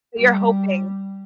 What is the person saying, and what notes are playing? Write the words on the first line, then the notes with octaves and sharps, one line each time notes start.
So you're hoping
G3